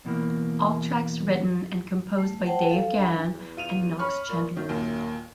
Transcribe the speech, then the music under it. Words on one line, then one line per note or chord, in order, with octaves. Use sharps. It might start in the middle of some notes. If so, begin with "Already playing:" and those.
All tracks written and composed by Dave Gahan and Knox Chandler.
E2 B2 E3 G#3 A#3
A3
C5 F#5 G5 A5
A4 F5
D4 B5
E2
F4 D#7 F7
C#4 B5 C#6 F6
A#2
F#2 D#3
D#2 A#2